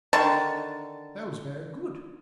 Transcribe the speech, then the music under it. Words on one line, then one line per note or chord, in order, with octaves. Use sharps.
That was very good!
D3 D#3 A5 C#6